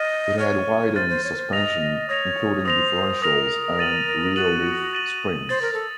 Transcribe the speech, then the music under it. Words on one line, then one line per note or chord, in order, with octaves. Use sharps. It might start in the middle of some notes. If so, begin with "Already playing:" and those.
It had widened suspension, including differentials, and rear leaf springs.
Already playing: D#5 F6 A6 D#7
C#5 F6 A6 D#7
C5 F6 A6 D#7
C5
C#5
A#4
C5
D#5 D#6 A#6 F7
C#5 D#6 A#6 F7
C5 D#6 A#6 F7
A#4 D#6 A#6 F7
A6 D#7 F#7
F#4 A6 D#7 F#7
A6 D#7 F#7
C5 A6 D#7 F#7
A#4
A4